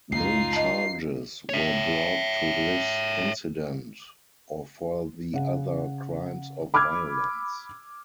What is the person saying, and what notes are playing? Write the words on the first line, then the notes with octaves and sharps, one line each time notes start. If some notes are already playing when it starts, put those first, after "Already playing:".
No charges were brought to this incident, or for the other crimes of violence.
C#2 F#2 D#4 F4 C7
D#5 A5
C#5 E5
C#3 F#5
B5 D6 E6 F6 G#6